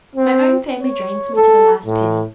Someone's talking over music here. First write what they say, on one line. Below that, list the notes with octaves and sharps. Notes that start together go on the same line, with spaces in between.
My own family drains me to the last penny.
C4
C#5
A4
A2